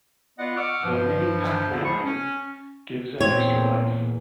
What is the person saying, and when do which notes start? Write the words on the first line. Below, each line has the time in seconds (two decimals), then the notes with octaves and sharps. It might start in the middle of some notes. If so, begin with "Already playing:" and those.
The mini Pac-Man item gives an extra life.
0.39 B3 F4 D5 D#5 F#5
0.57 F#5 C#6 D6 E6 F6
0.84 G2 F3
1.70 E2 G#2 D3
1.85 F3 G#4 A5 B5 C#6
2.03 C#4
3.20 E2 A#2 C4 C#5